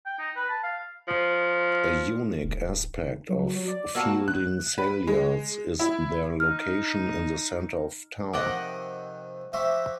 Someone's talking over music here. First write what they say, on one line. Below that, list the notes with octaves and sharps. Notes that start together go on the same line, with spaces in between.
A unique aspect of Feilding Saleyards is their location in the centre of town.
G5
D#4
B4
A5
F5
F3
D1
F#3
F#3
D5
A#3 F#4 A5 E6
F#6
B4
G#3
E4
D#4 F6
F2 C3 D#3 D#5 F#5 D6
F3 F#4 G4 E5